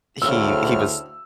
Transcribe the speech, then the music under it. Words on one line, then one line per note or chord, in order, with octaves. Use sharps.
he he was
D2 A2 C#3 E6 F6